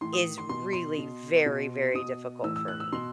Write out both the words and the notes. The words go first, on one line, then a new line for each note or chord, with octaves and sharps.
is really, very, very difficult for me.
A2 E3 C6
D#6
C6
B2 C6
C6
B2
B2
B2 D#6
A2 E3 E6
E6
F#6
E6
B2 C6